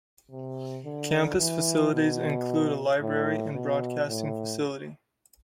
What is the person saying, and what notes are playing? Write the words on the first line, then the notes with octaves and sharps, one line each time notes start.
Campus facilities include a library and broadcasting facility.
C3
D3
E3
B2
A2
B2
A2